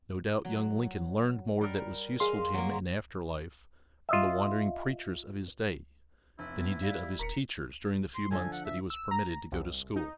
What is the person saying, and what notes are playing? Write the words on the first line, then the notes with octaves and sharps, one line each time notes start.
No doubt young Lincoln learned more that was useful to him in after life from the wandering preachers of his day than he did of his teachers during the few months that he was permitted to go to school.
F#3
G3 A#4
G#4 D#5 F5 C6
F#3 A#3
F4 D#5 E5
F1 E4
B3
G3 F5
D#1 A#4 A#5 B6 C#7
C6
D3 F3 A4 G#5
F#5
E5
E6
A#5
C2
D#4